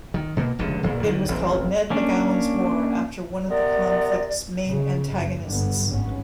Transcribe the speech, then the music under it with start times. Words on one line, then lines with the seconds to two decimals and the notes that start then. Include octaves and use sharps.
It was called Ned McGowan's War after one of the conflict's main antagonists.
0.14 D#3
0.37 B2 A#3
0.59 F1 C#2 D3
0.83 E1 A#2
1.03 D#2 D3 D#3 F#3
1.28 E1 A1 C4
1.90 A#3 C#4 D4
3.49 C3 B3 A#4 D5
4.67 C#3
5.12 F#1
5.46 G1 G2 D3 B3
5.90 G#1 B3 C#4